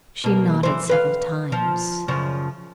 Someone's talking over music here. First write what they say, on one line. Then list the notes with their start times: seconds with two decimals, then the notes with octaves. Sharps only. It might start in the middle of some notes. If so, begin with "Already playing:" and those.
She nodded several times.
0.24 B2 A#3
0.63 E3 C5
0.89 B4 F5
1.52 F3
2.08 F#2 C#3 F3